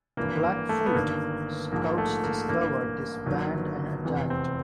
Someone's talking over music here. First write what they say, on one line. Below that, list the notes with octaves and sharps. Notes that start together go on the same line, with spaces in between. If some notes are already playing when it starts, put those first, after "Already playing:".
Blackfoot scouts discovered this band and attacked.
G#1 G2 E3 A#3
A#3
A3
B3
G1 G2 D#3 A#3
A#1 G#2 F3 A#3
A3
A#3
A1 G2 E3 A#3
G1 G2 D#3 F#3
F1 E2 C3 E3
C4